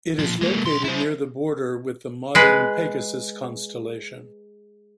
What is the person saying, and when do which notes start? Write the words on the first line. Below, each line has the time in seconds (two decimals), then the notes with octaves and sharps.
It is located near the border with the modern Pegasus constellation.
0.19 A#2 F3
0.41 G#3 A#3
0.65 B1 C6
0.84 E4 C5
2.35 G#3 B4